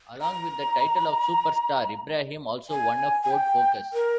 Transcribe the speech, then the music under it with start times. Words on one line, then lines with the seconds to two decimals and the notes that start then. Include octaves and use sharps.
Along with the title of Super Star, Ibrahim also won a Ford Focus.
0.21 A#5
2.70 G#5
3.23 G#5
3.31 G5
3.93 A#4